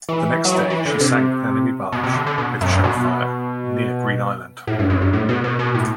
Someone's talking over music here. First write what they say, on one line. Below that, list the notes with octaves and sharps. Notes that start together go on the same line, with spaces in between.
The next day, she sank an enemy barge with shellfire near Green Island.
E3
F#3
E3
E3
D3
C3
B2
C3
D3
D3
B2
F#2
G2
B2
A2
G2
F#2
G2
A2
B2
B2
B2
A2